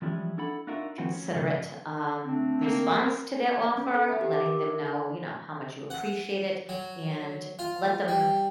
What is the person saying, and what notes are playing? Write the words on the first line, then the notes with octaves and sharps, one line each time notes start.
considerate, um, response to their offer, letting them know, you know, how much you appreciate it, and let them
E3 F3 G3 G#3 C#4 E4
D4 E4 A4 F#5 B5
D4 D#4 F4 F#4 A#4 E5
F3 A3 C4 F4 F#4 B4
C#4
G#2 C#3 F3
A3 C4 D4
A#3
C#4
A4
E5
G4
D6
A#4
E4
G#5
F#5
F#3
F4
G3